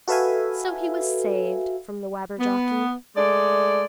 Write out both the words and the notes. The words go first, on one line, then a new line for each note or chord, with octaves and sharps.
So he was saved from the Wabberjocky.
F#4 A4 B4 E5 F5 G#5
B3
G#3 A3 D5